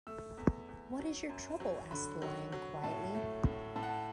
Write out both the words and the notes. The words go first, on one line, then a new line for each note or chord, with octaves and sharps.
What is your trouble? asked the Lion, quietly.
A3 E6
E2
E2
F#3
F#2
F#3
D3 B5
F#3
F#3
A2 A5
A3
A2
A2 A5
F#5
A5